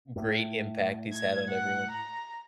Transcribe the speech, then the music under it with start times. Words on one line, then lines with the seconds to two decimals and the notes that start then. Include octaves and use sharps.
great impact he's had on everyone.
0.16 A2
1.12 G#6
1.49 F#5
1.91 A#5